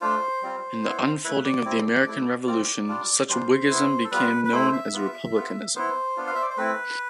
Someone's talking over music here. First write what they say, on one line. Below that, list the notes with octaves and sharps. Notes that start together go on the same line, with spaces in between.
In the unfolding of the American Revolution such whiggism became known as republicanism.
A3 D4 F4 C5
G3 C4 F4
B3 E4
A3 E4 B4
D5
G3 C4 E4
A3 E4
A3 C4 F4 D5
G3 D4 F4
G3 D4 F4 C5
B3 E4
A4
G3 B3 F4 B4
B4
A3 E4 C5
E5
B3 F4
B3 F4
B3 E4 C5
B3 D4 F4
F5
E5
D5
C5
A3 C4 E4 B4